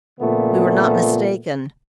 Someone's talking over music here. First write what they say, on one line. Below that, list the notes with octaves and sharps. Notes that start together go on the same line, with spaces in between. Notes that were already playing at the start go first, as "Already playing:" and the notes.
We were not mistaken.
A#2 C#3 F3 A3 B3